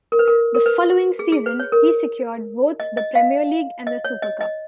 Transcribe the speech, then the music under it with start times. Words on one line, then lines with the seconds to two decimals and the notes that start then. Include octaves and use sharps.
The following season, he secured both the Premier League and the Super Cup.
0.12 A#4
0.19 B4
0.28 A#4
0.54 A#4
0.66 B4
1.19 G#4
1.32 G#4
1.46 B4
1.60 C#5
1.72 A#4
2.80 D#5
2.97 D#5
3.15 F5
3.87 D#5
4.04 C#5
4.22 D#5
4.41 D#5